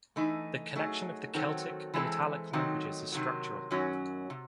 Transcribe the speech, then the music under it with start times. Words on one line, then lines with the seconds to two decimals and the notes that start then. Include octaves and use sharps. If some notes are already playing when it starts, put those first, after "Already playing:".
The connection of the Celtic and Italic languages is structural.
0.16 E3 A3 D#4
0.75 F#3 A3 D#4 G#4
1.34 D#3 F#3 C4 F#4 A4
1.94 E3 G#3 C4 E4 A4
2.53 D#3 F#3 A3 C4 D#4
3.12 C3 D#3 F#3
3.71 F#2 D#3 F#3 C#4 F#4
4.30 C3